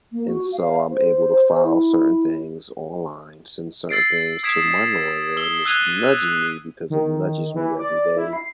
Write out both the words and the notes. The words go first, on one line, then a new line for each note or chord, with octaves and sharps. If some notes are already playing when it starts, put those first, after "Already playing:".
And so I'm able to file certain things online, send certain things to my lawyer and it's nudging me because it nudges me every day
A#3
F#4
F5
C5
E4
E6 A6 C7 D7
D#6 G#6 B6 D7 E7
D#6 E6 G7
E6 F#6 G#6 D#7 F7 G7
D#3
E3
D5
E4
C7